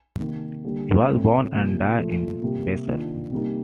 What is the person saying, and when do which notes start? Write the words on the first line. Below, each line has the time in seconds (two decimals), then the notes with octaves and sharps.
He was born and died in Basel.
0.19 C3 D#3 A#3
0.64 D3 G3 A#3
1.09 A2 A3 C4
1.53 C3 F3 A#3
1.98 A#2 F3 A3
2.42 C3 G3 A#3
2.87 D#3 A#3 D4 F4
3.31 C3 G3 A#3 D#4